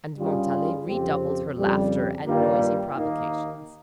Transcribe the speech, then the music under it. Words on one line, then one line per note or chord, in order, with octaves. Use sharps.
And Montalais redoubled her laughter and noisy provocations.
G2 G3 C#4 F4 G#4
F2 C#3 F3 C4 G4
F2 C#3 G3
G2 D#3 G3 A#3 F4
D#2 D#3 A#3 D#4 A#4